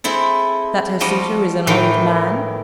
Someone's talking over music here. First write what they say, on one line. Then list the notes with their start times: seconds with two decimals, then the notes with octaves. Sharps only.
That her suitor is an old man?
0.04 G#3 C4 E4 A4
1.00 F3 G3 F#4 D#5
1.67 A2 D#3 E3 D#4